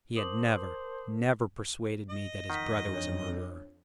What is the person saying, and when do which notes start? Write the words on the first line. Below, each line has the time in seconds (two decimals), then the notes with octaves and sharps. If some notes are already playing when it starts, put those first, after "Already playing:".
He had never, never persuaded me that his brother was a murderer.
0.16 A#4 C5 A5 D6 D#6 F#7
2.10 D#5
2.50 F2 D#3 F#5 B6
2.94 D4 C#5